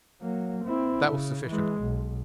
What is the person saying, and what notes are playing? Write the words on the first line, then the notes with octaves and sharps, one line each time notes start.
That was sufficient.
F#3 A#3
C4 E4
C#3
E3 G#3
B1